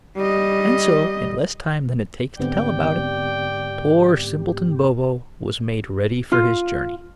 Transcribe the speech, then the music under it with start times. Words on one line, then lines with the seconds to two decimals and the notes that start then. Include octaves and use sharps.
And so, in less time than it takes to tell about it, poor simpleton Bobo was made ready for his journey.
0.17 G3 D#5
2.39 G#2 D3 B3 C4 G4 D5 G5
6.32 F4